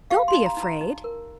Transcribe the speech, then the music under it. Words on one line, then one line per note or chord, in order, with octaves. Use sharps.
Don't be afraid.
G4 F5
C6
D#4
A#5
D#4
A#5
D#4
A#4